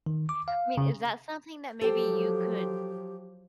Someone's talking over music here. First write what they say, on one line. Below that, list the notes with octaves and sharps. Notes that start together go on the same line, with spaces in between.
I mean, is that something that maybe you could
D#3
D6
F5
C#3
F3 F#3 G4 A4 C5 G5